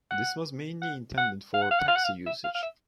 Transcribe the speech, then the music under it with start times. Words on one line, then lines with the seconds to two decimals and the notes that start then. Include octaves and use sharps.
This was mainly intended for taxi usage.
0.10 F#5
0.82 F#5
1.18 F#5
1.54 F5
1.62 F#5
1.71 F5
1.79 F#5
1.88 F5
1.95 F#5
2.04 F5
2.26 E5
2.44 F5
2.55 F5
2.62 E5